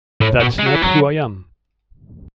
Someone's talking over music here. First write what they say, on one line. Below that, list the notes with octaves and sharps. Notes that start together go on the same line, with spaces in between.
That's not who I am.
A2
B2
G#3
F#3
E3
F#3